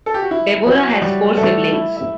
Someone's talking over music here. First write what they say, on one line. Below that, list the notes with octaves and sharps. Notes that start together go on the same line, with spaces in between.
Deborah has four siblings.
A4
G4
F#4
E4
F#3 F#4
G3 G4
A3 A4
E4 E5
E5